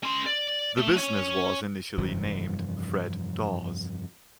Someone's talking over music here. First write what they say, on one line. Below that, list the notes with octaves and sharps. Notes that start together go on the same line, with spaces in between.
The business was initially named Fred Dawes.
C#4 C6
D5
A3
C#4 C#5
F1 G2 E3 F3